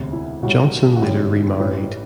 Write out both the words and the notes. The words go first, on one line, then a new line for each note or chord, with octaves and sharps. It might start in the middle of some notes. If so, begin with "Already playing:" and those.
Johnson later remarried.
Already playing: E1 D2 C3
E4
B1 A2 G3 F#4
F#4
G1 F#2 E3 G3 G4
A1 A2 G3 B4